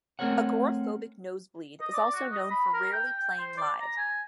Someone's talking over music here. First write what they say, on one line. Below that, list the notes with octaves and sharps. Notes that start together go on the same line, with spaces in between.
Agoraphobic Nosebleed is also known for rarely playing live.
A3 C4 A#4 C5 C#5 F#5
D#5
D5
F#4
D#5
B5
A#4
G5
G5
C5
D5
A#5
G#5